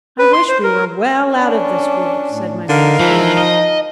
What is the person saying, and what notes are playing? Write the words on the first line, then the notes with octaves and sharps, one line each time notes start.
"I wish we were well out of this wood," said my master.
B4
C6
C5
A#4
C#4 D4
A2
D3 D#4 A#4 F5
E3 F3
D#5